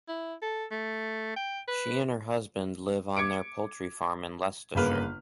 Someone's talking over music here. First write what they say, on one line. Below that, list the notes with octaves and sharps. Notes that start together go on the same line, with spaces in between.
She and her husband live on their poultry farm in Leicestershire.
E4
A4
A3
G5
B4
D6 G#6 C#7 D7
G1 C#3 A#3 B4 F6